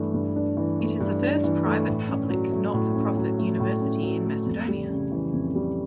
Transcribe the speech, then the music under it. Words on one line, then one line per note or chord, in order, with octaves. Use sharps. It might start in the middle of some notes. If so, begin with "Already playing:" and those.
It is the first private-public not for profit university in Macedonia.
Already playing: G2 E3 A3 D4
G2
D4
E3
A3
G2
D4
E3
A3
A2
C#4
F#3
A3
A2
C#4
F#3
A3
A2
C#4
F#3
A3
F2
G3
C#3
E3
F2
G3